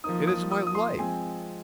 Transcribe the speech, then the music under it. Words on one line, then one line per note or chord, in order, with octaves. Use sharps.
It is my life.
F3 A#3 D#4 D#6
D#6
D#6
D#6
C6
F3 G#3 C4 G#5